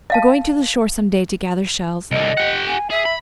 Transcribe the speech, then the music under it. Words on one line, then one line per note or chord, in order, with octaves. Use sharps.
We're going to the shore some day to gather shells.
D#5 F5 A5
C2 D3 D#5
G4 F#5
G#5
G#4 E5
B5